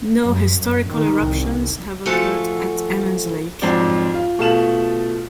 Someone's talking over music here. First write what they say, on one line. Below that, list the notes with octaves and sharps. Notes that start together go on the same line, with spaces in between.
No historical eruptions have occurred at Emmons Lake.
F#2
F#2
D#3
C2
F3 A3 F#4 A4 F5 G#5
F2 G#2 F#3 C4 D5
F4
B2 A3 F4 A5 E7 F#7